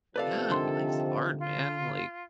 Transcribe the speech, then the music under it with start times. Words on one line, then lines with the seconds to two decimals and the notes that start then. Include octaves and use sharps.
Yeah, and life's hard, man, like,
0.16 C3 D#3 F3 A4 B4 D5 F5
0.50 D3 C6
1.39 F4